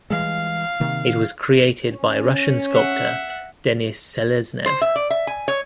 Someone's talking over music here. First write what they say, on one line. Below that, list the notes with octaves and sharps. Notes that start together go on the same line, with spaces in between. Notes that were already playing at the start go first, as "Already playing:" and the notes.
It was created by Russian sculptor Denis Seleznev.
E3 G3 G#3 F5
C3 D#3 A#3
C#4
E5 F#5
C5
E5
D5
E5
G#5
C#5